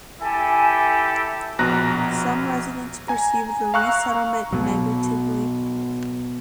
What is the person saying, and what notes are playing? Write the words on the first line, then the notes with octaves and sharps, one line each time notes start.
Some residents perceived the resettlement negatively.
E4 G4 A4 G#5
A#1 B2 A#5 F#6 A#6
G#5 A#5
F5 A#5 C#6 E6 F#6
B2 F#3